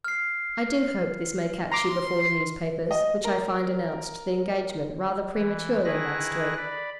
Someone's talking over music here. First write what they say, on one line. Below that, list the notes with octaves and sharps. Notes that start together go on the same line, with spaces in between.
I do hope this may catch you before the newspapers, which I find announced the engagement rather prematurely last week.
F6 C7
A#5 C6 D6
D#5
A#4
E3
D#3 E4 G#4 B4 F#6 A#6
D5 B5